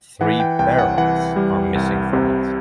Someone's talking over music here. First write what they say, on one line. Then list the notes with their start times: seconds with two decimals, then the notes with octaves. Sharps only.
Three beryls are missing from it.
0.21 E3 F#5
0.40 G5
0.59 C2 G5
0.79 F#5
0.97 E3 F#5
1.36 G3
1.75 C2
2.13 C3